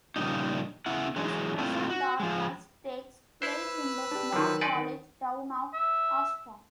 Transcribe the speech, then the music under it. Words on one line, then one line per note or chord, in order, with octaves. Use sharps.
"This Present Darkness" takes place in the small college town of Ashton.
A#2 C#3 F3 G3 D4 D#4
C#3 E4 F#5
E3 F#3 G#3
A#2 A3 C4 E4 F4
F#4
F3 G#3
E4 B4 C5 E6 F#6
D4 G4
D3 D#3 F3 F#3
D#4 B4 D5 G#5 C6
D#3
E5